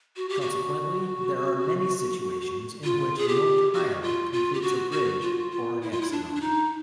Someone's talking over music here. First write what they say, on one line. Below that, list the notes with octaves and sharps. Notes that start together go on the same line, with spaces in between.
Consequently, there are many situations in which no tile completes a bridge or hexagon.
F#4
G4
F#4
F4
G#4
G4
F#4
F4
F4
G4
F#4
F#4
F4
F4
E4
F4
E4
D4
D4
D#4